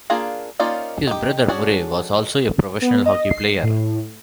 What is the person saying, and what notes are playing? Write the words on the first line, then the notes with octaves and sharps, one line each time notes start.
His brother Murray was also a professional hockey player.
A#3 D4 F4 G#4 A#5
A#3 C#4 D#4 F4 D5
D#4 G4
C#4 D4 F#4 G#4
B3
D#5
C7
A2